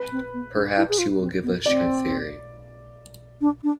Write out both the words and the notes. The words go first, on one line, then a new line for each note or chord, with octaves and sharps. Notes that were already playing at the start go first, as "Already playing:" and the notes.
Perhaps you will give us your theory.
Already playing: B4
C4
B3
D4
E4
G#4
F4
C4
B3
C4 D5
D4
D4